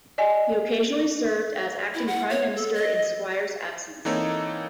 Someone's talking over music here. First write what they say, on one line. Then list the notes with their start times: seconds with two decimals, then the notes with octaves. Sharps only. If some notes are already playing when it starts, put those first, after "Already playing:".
He occasionally served as acting Prime Minister in Squire's absence.
0.18 D5 D#5 G#5
1.94 E4
2.07 F#5
2.30 C#5
2.56 A4
2.75 D#5
4.05 E3 A#3 C4 D#4 A4 C#5